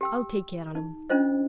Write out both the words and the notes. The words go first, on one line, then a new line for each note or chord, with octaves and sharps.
I'll take care on him.
G4 G5 E6
D#4
C#4 D4 F4 C5 D#5